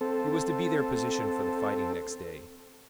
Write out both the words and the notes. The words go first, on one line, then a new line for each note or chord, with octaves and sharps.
It was to be their position for the fighting next day.
C4 A4